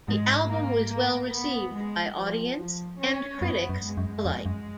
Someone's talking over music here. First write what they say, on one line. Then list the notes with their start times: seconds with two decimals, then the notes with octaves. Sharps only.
The album was well received by audience and critics alike.
0.08 G#2 G#3
0.50 A#3
0.92 A#3
1.34 B3
1.75 G#3
2.17 F3
2.58 F3
2.99 C#4
3.41 F#2 B3
3.69 F#2
3.84 G#3
3.97 F#2
4.25 F2
4.46 F#2